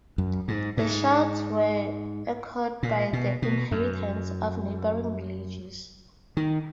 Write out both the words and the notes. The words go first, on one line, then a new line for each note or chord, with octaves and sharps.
The shouts were echoed by the inhabitants of neighboring villages.
F#2
G#2
G#2
A#2
B2
B2
F#2
D#3